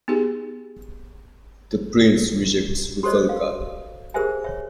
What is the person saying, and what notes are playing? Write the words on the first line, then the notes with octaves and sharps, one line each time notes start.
The prince rejects Rusalka.
B3 D#4 G4 G#4
F#4 G4 A4 C5 C#5 D#5
F5
G4 G#4 A#4 C5 E5 G#5
C#5 E5